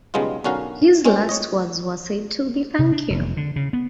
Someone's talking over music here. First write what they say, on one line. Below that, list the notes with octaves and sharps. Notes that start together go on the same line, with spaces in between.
His last words were said to be Thank you.
B1 C#3 G3 G#3 B3 F4
B1 D3 C#4 F#4 A#4 F5
G#3 C4 C#4
C#5 D#5
C3
D4
F1
D3
C#3
B3